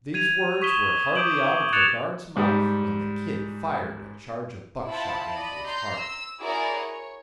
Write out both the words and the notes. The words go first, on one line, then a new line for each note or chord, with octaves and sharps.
These words were hardly out of the guard's mouth when the "Kid" fired a charge of buckshot into his heart.
G#6 D#7 F7
C#6 D#6 B6 D#7 E7 G7
D6 D#6 G6 D7 F#7
F#6 G#6 A6 C#7 E7 F7
G#2 G3
E4 F4 C5 F#5 A5 B5
D5 D#5 B5
A#5 C6 G6
E6
E4 F#4 G#4 A#4 D5
C#5